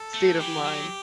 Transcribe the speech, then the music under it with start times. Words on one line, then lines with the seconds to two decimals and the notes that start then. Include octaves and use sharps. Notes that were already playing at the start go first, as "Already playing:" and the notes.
state of mind.
Already playing: A4
0.14 A3
0.39 E3 G4
0.65 F#3